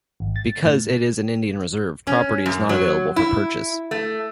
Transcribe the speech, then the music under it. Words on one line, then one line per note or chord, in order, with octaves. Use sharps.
Because it is an Indian reserve, property is not available for purchase.
G#1
A6
A2
C#4
F#2
F#3
E4
A3